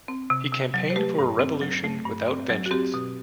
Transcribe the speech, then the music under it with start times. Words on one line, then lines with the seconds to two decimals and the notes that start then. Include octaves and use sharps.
He campaigned for a revolution without vengeance.
0.08 C4
0.30 C3
0.52 C3
0.74 F#3
0.90 C5
0.96 A3 G4 B4
1.19 G2
1.39 C4
1.61 F#3
1.84 A3
2.05 G2
2.28 C4
2.49 F#3
2.66 F#4
2.71 C4 G4
2.94 B2